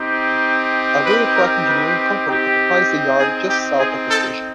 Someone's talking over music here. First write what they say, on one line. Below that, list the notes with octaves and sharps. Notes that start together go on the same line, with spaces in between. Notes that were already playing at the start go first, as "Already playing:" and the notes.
A rail track engineering company occupies the yard just south of the station.
Already playing: C4 D#4 G4
B4
A#4
B4
C4 D#4 G4
G4
G#4
G4
G#4
A4